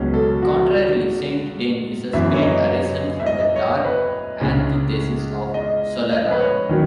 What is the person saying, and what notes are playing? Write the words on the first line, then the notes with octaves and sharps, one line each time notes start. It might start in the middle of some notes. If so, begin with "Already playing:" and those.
Contrarily, Saint Dane is a spirit arisen from the dark antithesis of Solara.
Already playing: C#2 B2 F#3 C#4
A4
F#4
F#2 E3 B3 E5
C#5
D#5
C#5
E5
D#5
C#5
B4
C#2 C#3 G#3 C#4
D#5
D#5
B4
C#5
D#3 F#3 C#4